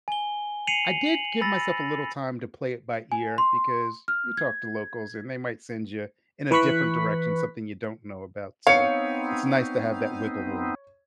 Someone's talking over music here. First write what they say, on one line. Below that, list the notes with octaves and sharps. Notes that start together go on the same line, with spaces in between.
I did give myself a little time to play it by ear because you talk to locals, and they might send ya in a different direction, something you don't know about, so, it's nice to have that wiggle room.
G#5 G7
C7 C#7 D#7 F7 F#7
F#7
B5 E6 A6 A#6
G#5
C6
F6
G#6
E3 B4 B5 C#6 F#6 B6
B3 C4 D#4 C#5 F5 C#7